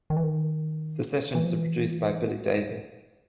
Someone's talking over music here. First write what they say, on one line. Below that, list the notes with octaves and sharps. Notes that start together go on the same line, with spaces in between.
The sessions were produced by Billy Davis.
D#3
E3
D#3
E3
F3
E3